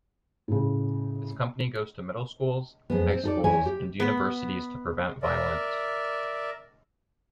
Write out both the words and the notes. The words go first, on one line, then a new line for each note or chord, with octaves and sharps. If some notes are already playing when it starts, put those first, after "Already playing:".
This company goes to middle schools, high schools, and universities to prevent violence.
A2 C#3
F2 G#3 B3
C4
D#4 A4 D5
E2 E4 C#5 G#5
G4
B3
A#4 D5 E5